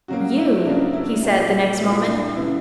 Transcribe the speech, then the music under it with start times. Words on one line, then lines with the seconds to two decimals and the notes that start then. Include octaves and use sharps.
"You?" he said, the next moment.
0.08 C#3 F#3 A#3 F#4
0.37 E4
0.65 C#3 F#3 A#3 D4
0.93 E4
1.23 A#2 G3 A#3 F#4
1.79 A#2 G3 A#3 E4
2.07 D4
2.35 C#3 E3 B3 E4